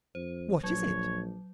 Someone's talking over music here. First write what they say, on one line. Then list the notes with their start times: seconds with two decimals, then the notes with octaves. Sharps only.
"What is it?"
0.15 F2 C5
0.64 A#1 F#3 C#5